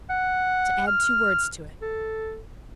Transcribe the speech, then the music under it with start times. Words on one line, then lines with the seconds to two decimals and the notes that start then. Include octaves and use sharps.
"To add two words to it."
0.10 F#5
0.87 F6
1.82 A4